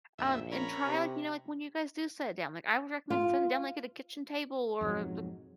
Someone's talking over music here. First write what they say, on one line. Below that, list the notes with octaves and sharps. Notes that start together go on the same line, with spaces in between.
Um, and try, like, you know, like, when you guys do sit down, like, I would recommend sitting down, like, at a kitchen table or the
A#1 F2 E5
C#4 A#4 B5
C3
F4
F2 G#2 B2 F#3